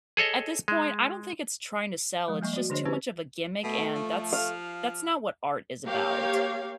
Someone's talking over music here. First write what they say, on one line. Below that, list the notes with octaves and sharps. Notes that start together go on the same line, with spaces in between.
at this point, I don't think it's trying to sell, it's just too much of a gimmick and that's that's not what art is about.
G#4 A4 C#5 D#5
G#3
F3 G#3
G3 A#3 D#5 C#6
F#4 D5
D3 D4 G#4 C5 C#5 D#5
C4 C#4 E4 G4 B4 C5
B2 A3
F3
F5
A#3 G4 C#5 F5